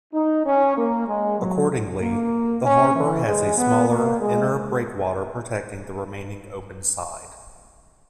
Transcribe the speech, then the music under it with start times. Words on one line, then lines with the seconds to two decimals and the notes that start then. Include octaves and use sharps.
Accordingly, the harbour has a smaller inner breakwater protecting the remaining open side.
0.14 D#4
0.46 C#4
0.77 A#3
1.08 G#3
1.39 F#3
2.01 A#3
2.64 C#4
2.95 E3
3.26 G#3
3.57 B3
3.89 A#3
4.20 G#3